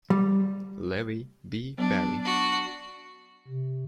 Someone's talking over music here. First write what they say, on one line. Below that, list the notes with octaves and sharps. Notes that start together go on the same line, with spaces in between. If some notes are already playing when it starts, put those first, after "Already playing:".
Levy, B. Barry.
G3
F#3 B3 D4
D4 F#4
C3